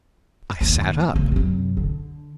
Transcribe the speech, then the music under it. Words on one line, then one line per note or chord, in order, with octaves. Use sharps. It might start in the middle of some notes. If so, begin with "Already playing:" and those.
I sat up.
D#2 A2
D2 C#3
F#2 C3
D3